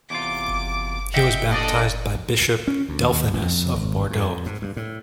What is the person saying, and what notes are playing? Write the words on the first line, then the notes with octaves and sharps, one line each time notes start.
He was baptized by Bishop Delphinus of Bordeaux.
E2 C3 F4 D6
D#5 E5 F#5 G5
A#2 D4 A4 D5 D#5
C#4
D2
D#2
A1
F2
G#1
F2
G#2
G2
A2